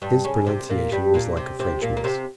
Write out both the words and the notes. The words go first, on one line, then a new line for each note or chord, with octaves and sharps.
His pronunciation was like a Frenchman's.
G2 G3
C#3 C#4
C3 C4
A#2 A#3
G2 G3
A#2 A#3
C3 C4
C3 C4
A#2 A#3
A#3
C3 C4